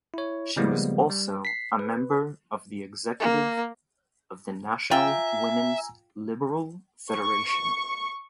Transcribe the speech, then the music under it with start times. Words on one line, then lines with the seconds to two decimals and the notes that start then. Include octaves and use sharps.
She was also a member of the Executive of the national Women's Liberal Federation.
0.14 E4 C#5
0.56 C#3 F3 G3 G#3 A#3 B3
1.10 G3
1.45 B6 C7
1.79 B4
3.20 A#3
4.91 F4 E5 G5 G#5 A#5 E6
7.12 C#6